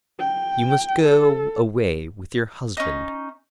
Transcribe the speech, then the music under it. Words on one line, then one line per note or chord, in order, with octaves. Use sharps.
You must go away with your Husband.'
G5
A4
C#4 D#4